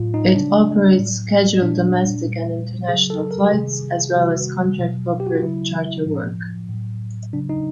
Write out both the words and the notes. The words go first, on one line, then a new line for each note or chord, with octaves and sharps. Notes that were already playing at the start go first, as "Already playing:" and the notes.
It operates scheduled domestic and international flights, as well as contract corporate charter work.
Already playing: A2 F#3 F4
D#4
C#3 F#3 D4
A2 F#3
A#2 G3 D4
A#2 G3
C#3 G#4
F#3
A4
A#4
G4
C3 D#3 G3 G#4
C3 D#3 G3 F#4
B2 F#3
G4
F#4
F4
C#3 F#3 E4
A2 F3
A2 F#3
C#3 F#3 D4
D#4